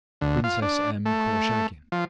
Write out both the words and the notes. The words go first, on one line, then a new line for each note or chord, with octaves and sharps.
Princess M. Korchagin.
D2
F4
D4
A3
F3